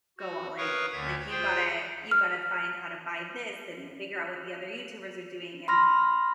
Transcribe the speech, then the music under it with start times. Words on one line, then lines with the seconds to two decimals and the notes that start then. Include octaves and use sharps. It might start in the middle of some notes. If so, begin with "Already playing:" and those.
go all in." Like you gotta you gotta find how to buy this and figure out what the other YouTubers are doing and
0.19 F#4
0.58 A#4 B4 C#5 F5 C#6 D#6
0.92 D2 D3 E5 G#6
1.30 F4 G#4 C5 G5 C6
2.11 F6
5.68 B5 C6 F6 A#6